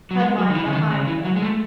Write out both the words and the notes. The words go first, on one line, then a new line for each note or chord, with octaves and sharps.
headline behind
F#3
G#3
F#3
D#3
E3
C#3
D#3
C#3
E3
F#3
G#3
A3